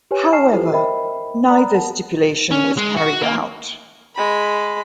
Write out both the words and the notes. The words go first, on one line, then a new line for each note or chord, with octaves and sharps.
However, neither stipulation was carried out.
G4 B4 C#5 G#5
G#5 A5 C#6 F6 C7 E7
E4 F4 G4 A4 B4 C5
A#4 C5 D#5 E5 G5 B5
D5 A#5 B5 D#6 F6 F#6
A#4 F#5 A5
C#4
G#3
F#4
A#3
G#3 B5